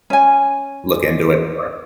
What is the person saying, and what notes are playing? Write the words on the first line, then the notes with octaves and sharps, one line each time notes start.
look into it more.
C#4 G#5